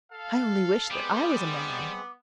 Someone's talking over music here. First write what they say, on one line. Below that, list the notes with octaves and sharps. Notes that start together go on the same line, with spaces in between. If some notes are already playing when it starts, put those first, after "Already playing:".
I only wish that I was a man!'
A4 F5
G3 G#3 B3 C4 B5 D6